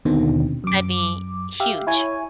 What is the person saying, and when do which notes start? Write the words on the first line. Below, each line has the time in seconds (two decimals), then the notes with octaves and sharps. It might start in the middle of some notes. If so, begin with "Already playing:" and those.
That'd be huge.
0.05 D#2 B2 D3 D#3 C4
0.64 F#2 D6
1.60 G4 E5 F5
1.87 E4 C#5 G#5